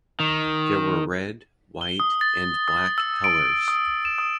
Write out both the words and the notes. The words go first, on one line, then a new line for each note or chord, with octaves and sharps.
There were red, white and black Hellers.
D#3
G7
D#6
A6
D#6
E6
D7
D#6
E7
D#6